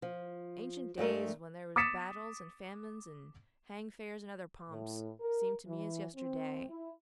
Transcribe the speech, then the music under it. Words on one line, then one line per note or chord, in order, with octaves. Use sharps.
Ancient days, when there was battles and famines and hang-fairs and other pomps, seem to me as yesterday.
F3
G2 G#3 A3 A#4
D6 D#6 A6 B6 C#7 E7
A2
A#4
E3
C4
E4